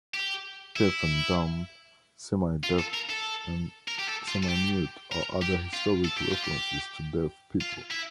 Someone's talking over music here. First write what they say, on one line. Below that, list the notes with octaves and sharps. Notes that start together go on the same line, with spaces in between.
"Deaf and dumb", "semi-deaf" and "semi-mute" are other historic references to deaf people.
G4
E4
F4
A4
A#4
A4
A#4
G4
A4
F4
A4
G4
A#4
G4
F4
A4
G4
F4
G4
F4
E4